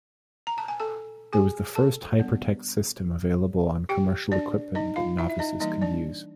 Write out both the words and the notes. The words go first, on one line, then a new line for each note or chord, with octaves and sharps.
It was the first hypertext system available on commercial equipment that novices could use.
A#5
A5
G#5
A4 A5
G#4 G#5
A4 A5
G3 B3 D4
G4 G5
D4 D5
D#4 D#5
F4 F5
E4 E5
E5
D#4 D#5
E3 G3 A#3 D#4 D#5
D4 D5